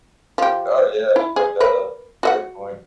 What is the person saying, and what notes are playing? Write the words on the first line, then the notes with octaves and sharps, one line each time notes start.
Oh, yeah, you bring that up. Great point.
F3 G4
E4
G#4
A#4 B4
F#4 D#5 F#5